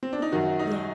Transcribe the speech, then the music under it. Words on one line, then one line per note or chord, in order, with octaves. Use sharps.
M Yeah.
C4
D4
D#4
F#2 D#3 F#4
D#4